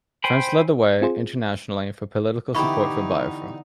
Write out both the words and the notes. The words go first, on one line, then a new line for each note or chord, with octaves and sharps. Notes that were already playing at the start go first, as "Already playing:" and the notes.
France led the way, internationally, for political support of Biafra.
C5 G5 G#5 B5
C4 F4 G#4 C5
D3 E3 B3 D#4 E4 G4 B5 C#6